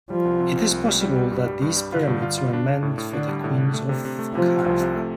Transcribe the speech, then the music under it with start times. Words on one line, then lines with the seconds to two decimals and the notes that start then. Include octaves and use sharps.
It is possible that these pyramids were meant for the Queens of Khafra.
0.10 F3 G3
0.25 C2
0.40 C3
0.56 C2
0.71 C2
0.85 G3
1.01 G3
1.16 G3
1.31 G2
1.47 G3
1.62 G2
1.76 G3
1.92 D3 F4
2.07 G2
2.22 F4
2.38 F4
2.53 D4
2.68 D4
2.83 A2
2.98 A2
3.13 D3 D4
3.28 G3
3.44 A2
3.58 D4
3.74 A3
3.89 C3
4.05 C3
4.19 A3
4.35 C3 F3
4.49 C3
4.65 C2
4.80 C3
4.96 A3